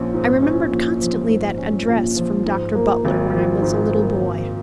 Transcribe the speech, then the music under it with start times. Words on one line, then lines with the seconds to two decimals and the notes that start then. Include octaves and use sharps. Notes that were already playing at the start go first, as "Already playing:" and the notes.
I remembered constantly that address from Dr. Butler when I was a little boy.
Already playing: A#1 F3 C#4
0.14 G#2
0.43 C#4
0.71 A#1
1.01 F3
1.29 G#2
1.58 C#4
1.88 A#1
2.17 F3
2.46 G#2
2.75 A#3
3.05 G#1
3.33 F3
3.62 G#2
3.92 A#3
4.20 G#1